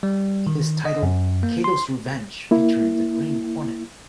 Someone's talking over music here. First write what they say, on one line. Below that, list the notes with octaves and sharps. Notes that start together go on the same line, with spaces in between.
It is titled "Kato's Revenge Featuring the Green Hornet".
G3
D#3
D#5
F#2
A#3
C6
A#3 E4